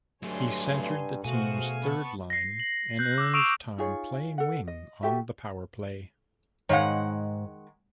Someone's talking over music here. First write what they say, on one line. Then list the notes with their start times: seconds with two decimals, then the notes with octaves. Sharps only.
He centred the team's third line and earned time playing wing on the powerplay.
0.23 G2 F#3 A3 C#5 G#5 C6
1.25 B2 A3 F#4 G#4 C5 F5 G#5
1.81 B3 A5 C#6
2.30 A#6 C7
2.60 F#7
2.99 F#6 G6
3.18 D6 E6
3.34 C#6 D#6 E6 D7 E7 F7
3.78 D#4 F4 G#4 C#5
4.38 A4 F#5
4.67 D#5
5.03 F#4 G4 A4 E5
6.69 G#2 D#3 G#3 C#5 F5 F#5